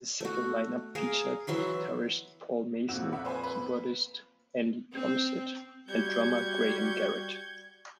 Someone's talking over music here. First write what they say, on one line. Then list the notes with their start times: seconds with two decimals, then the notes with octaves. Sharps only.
The second line-up featured guitarist Paul Mason, keyboardist Andy Tompsett, and drummer Graham Garrett.
0.21 A3 F#4
0.95 G#4 A#4 F5
1.47 E3 F#3 E5 C6
2.89 F2 A#2 F#4 E6
3.12 E5 F#5 B5
3.25 B4 C5 G#5
3.44 B4
4.93 C4
5.88 G3 F#4 G6 G#6 C#7